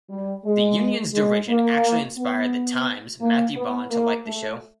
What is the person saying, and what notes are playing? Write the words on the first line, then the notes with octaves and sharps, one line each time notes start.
The unions' derision actually inspired "The Times"'s Matthew Bond to like the show.
G3
G#3
G#3
A#3
B3
A#3
B3
A#3
A3